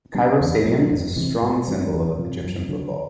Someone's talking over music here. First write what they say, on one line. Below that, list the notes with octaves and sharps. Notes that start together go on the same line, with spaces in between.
Cairo Stadium is a strong symbol of Egyptian football.
G3 B3 D4
E2
B2 F#3 A#3
F2
C3 E3 G#3
G#2
F3 G#3 C4
E2
C3 F3
F#2
D3 F#3